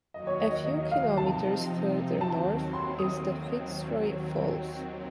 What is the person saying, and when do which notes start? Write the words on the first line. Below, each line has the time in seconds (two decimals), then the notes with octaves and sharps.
A few kilometers further north is the Fitzroy Falls.
0.14 D#2 D#3 F#3 D#5
0.27 C#5
0.40 D#5
0.53 D#5
0.66 D#5
0.91 F5
1.17 C3 F3 C4 D#4 A5
2.21 D#2 D#3 F#3 C4 A5
2.73 C6
2.99 D#6